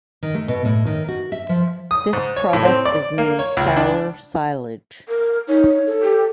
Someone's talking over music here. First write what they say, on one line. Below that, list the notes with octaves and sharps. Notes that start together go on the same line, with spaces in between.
This product is named sour silage.
D#3
A3
B2
A2
D#3
F#4
E5
F3
D#6
G#2
C#5
A2
C4
D5
A#3
C#5
C#2
D4
A#4
D#4 C#5
A4
G4